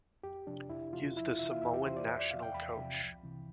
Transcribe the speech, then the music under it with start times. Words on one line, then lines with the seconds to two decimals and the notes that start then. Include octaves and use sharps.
He is the Samoan national coach.
0.24 F2 G4
0.47 C3 F3 D4
0.70 F2 E4
0.93 C3 F3 F4
1.16 E2 E4
1.28 F4
1.39 C3 E3 E5
1.51 F5
1.62 E2 E5
1.74 G4
1.85 C3 E3 C5
1.97 D5
2.08 E2 E5
2.19 D5
2.31 C3 F3 F5
2.43 G5
2.54 E2 B5
2.77 C3 F3
3.00 C2
3.23 C3 E3